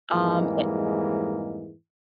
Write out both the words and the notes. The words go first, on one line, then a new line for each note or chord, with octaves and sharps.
um, and
F2 G#2 E3 G3 G#3 A#3